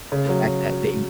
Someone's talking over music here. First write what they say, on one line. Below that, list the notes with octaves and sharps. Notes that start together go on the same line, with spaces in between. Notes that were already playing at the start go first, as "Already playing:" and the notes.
the fact that they
C#3
F#3